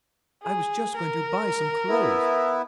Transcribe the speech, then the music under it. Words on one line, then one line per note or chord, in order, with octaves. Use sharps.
I was just going to buy some clothes.
G#4
A#4
B3 E4